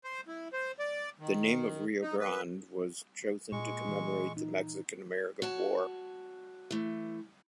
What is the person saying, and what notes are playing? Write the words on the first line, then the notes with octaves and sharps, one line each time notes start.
The name of Rio Grande was chosen to commemorate the Mexican-American War.
C5
E4
C5
D5
D#3
D#4
B4
A#2 G#3 C#6
E3
D#4
F#4 C#5 A5
E3 A3